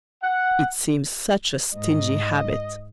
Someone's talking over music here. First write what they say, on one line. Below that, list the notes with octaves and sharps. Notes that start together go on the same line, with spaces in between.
It seems such a stingy habit.
F#5
G#2 D#5